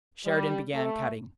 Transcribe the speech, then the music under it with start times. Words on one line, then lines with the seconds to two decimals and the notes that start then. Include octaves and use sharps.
Sheridan began cutting.
0.25 G3
0.74 A3